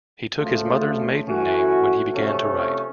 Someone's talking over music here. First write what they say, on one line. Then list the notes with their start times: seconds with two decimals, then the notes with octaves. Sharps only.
He took his mother's maiden name when he began to write.
0.38 D2 C#3 F3 A3
1.26 E3 A3 C#4 F#4
2.14 C3 F3 A3 C#4